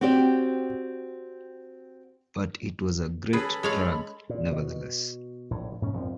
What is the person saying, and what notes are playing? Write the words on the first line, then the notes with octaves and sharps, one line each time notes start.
But it was a great drag, nevertheless.
C4 F#4 G4 C5 D5
C#4 G#4 A4 B4 B5
G#3 C#5 F5
A#2
B2
A#1 A2
G#2 B2 C#4
A#1 F2 G#2 F3